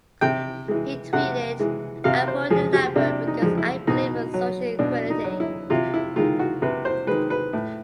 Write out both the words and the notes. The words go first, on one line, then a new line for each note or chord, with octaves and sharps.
He tweeted: I'm voting Labour because I believe in social equality.
C3 G5
E3 G#3
C3 F#5
E3 G#3
C3 F5
C5
F3 G#3 G#4
G4
C3 D4
D#4
F3 G#3
E4
B2 D#4
F#3
B2 D4
D#4
F#3
E4
C3 F4
E4
D#3 G#3 F4
F#4
C3 B4
C5
D#3 G#3 B4
B4
A2